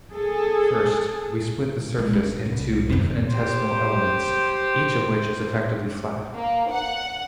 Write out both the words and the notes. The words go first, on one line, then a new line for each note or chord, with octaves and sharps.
First, we split the surface into infinitesimal elements, each of which is effectively flat.
G#4 A4
G#3
C#4
C2
F#2 D#3
G4 C5
A#3
F#5